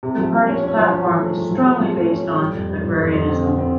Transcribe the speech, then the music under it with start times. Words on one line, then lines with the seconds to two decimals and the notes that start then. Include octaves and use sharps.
The party's platform is strongly based on agrarianism.
0.03 C3
0.18 F3
0.33 F3
0.48 C#4
0.63 C#4
0.77 F3
0.91 C#4
1.06 F3
1.21 A3
1.36 A3
1.51 F3
1.65 C3
1.80 F3
1.95 A3
2.10 C#4
2.25 A3
2.39 G3
2.54 F2
2.69 G3
2.84 F2
2.99 F2
3.13 F2
3.29 C4
3.43 D3
3.58 C4